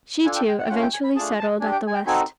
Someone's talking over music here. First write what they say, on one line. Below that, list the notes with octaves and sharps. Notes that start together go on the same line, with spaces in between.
She, too, eventually settled at the West.
D4 F4 A4 G#5
G5
G5
F#5
G5
A3 C#4 F4 F#5
G5
G#5
B5
A3 D4 F4 G#4 A5
A5
D4 G4 G#5
G5
G#5
G5
C4 D#4 F#4 A4 G#5